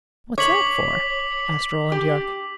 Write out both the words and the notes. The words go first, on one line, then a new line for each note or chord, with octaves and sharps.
"What's that for?" asked Roland Yorke.
C#5 D6 B6 F#7
G4